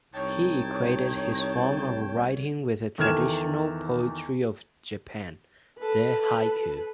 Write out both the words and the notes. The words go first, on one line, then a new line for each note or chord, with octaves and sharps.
He equated his form of writing with the traditional poetry of Japan, the haiku.
C2 D#4 C#5 G5 A5
E2 D#3 A4 F6 G#6 E7
A4 B4